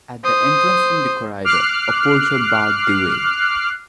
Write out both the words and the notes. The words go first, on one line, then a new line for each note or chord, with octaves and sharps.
At the entrance from the corridor a porter barred the way.
C5 D#6
D6 F6 F#6 C7